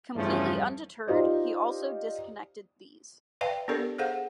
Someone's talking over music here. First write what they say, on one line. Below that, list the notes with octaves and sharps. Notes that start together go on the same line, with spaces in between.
Completely undeterred he also disconnected these.
E2 G2 C#3 F3 A3 C#4
D#4 F4 G4 C5 D5 D#5
B4 D5 E5 F5 G5 A5
B3 D4 G4 A4 A#4 D5
G#4 A4 C5 F5 F#5